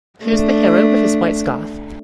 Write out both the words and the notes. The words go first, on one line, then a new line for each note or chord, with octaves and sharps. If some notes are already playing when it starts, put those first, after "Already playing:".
Pooh’s the hero with his white scarf.
A3 D4